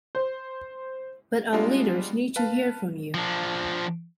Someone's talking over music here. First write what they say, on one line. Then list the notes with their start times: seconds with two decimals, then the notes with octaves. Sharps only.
But our leaders need to hear from you.
0.15 C5
1.53 G3 G#3 B3 D4 F4
2.36 B4 F5 A5
3.14 F3 D4